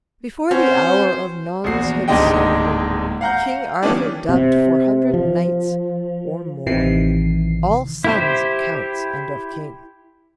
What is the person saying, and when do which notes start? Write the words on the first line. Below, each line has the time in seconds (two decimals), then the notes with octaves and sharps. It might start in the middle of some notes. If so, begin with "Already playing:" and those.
Before the hour of nones had sounded, King Arthur dubbed four hundred knights or more all sons of counts and of kings.
0.51 C4 C#4 F#4 B4 C5
1.64 A#1 E2 F#4 C7
2.08 D1 D#2 G#2 D4 D#5 G5
3.21 F5 F#5 A#5 G6
3.83 D#3 E3 G3 B3 C#4 D4
4.29 C3
5.14 F3
6.66 A1 C3 D#3 E3 C7
8.04 E4 G4 C5